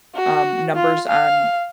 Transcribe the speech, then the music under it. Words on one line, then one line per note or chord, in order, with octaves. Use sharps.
um, numbers on
F#4
F4
F5